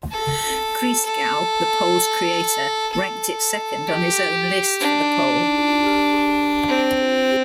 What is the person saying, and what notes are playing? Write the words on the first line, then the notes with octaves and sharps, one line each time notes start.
Christgau, the poll's creator, ranked it second on his own list for the poll.
A4
A4
A4
G4
D4
C4